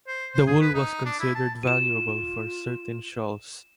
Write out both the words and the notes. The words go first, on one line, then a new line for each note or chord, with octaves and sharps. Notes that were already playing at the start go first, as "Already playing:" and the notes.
The wool was considered valuable for certain shawls.
C5
C5
G#4
B4
D#4
D4
E4
A5
F4 D#7 E7